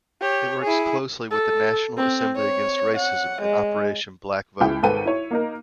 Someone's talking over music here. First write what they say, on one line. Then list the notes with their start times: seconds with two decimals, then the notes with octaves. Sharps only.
It works closely with the National Assembly Against Racism and Operation Black Vote.
0.21 G4 C#5
0.62 E4 G#4
1.31 A4
1.97 C4
2.36 C#5
2.96 F#5
3.41 G#3
4.61 C#2 E4 G5
4.82 G#1 G#2 A4 B4 G5 D#7
5.06 E4 C#5
5.31 A#3 D#4 A#4